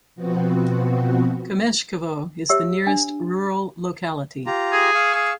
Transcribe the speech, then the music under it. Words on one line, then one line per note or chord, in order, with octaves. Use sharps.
Kameshkovo is the nearest rural locality.
B2 F3 B3 C4 F#4
G4 C#5 E5 E6
D4
F4 G4 A#5
G#4
F5 C#6 E6
G#4